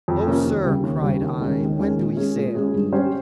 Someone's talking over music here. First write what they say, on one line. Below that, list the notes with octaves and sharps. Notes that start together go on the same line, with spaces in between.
"Oh, sir," cried I, "when do we sail?"
F2
C3 F3 A#3 C#4
D#2
C#3 G3
D#2
C#3 G3
D#2
D#3 G#3 C#4
D#2
D#3 G#3 C#4
A#2
G#3 C#4 G#4
A#2
G#3 C#4 G#4
G2
G3 C#4 G4 C5